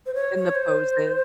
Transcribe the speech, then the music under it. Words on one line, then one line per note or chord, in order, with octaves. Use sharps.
And the poses.
C5
C#5
C#5
C5